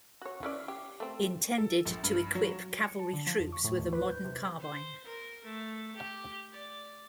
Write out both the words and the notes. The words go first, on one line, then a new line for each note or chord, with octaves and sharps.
Intended to equip cavalry troops with a modern carbine.
F#4 C#5
E3 C#4 D5
G4
A3 C4
A4
A#1
G2
F#3
C#7
A5
D3
F3
F2
C#6
A2
D#2
B4
G6
C3
C5
A#4
A3
G4
D5